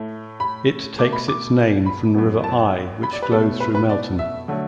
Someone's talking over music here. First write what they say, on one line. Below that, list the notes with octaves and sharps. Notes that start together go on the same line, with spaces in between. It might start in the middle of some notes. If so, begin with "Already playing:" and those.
It takes its name from the River Eye which flows through Melton.
Already playing: A2 A3
B5
B2 A3 D6
B5
D6
B5
F#2 F#3 B3
A5
B5
D5
B4
B2 A3 A4
B4
B4
D5
E5
D3 F#3 A3